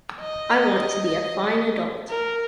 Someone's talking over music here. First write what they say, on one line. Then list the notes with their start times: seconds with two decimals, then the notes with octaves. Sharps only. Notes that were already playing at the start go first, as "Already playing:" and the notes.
I want to be a fine adult.
0.20 D#5
2.09 A#4